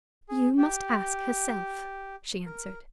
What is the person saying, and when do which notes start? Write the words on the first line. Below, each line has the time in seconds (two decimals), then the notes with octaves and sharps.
"You must ask herself," she answered.
0.29 G#4
0.58 G4
2.46 A#4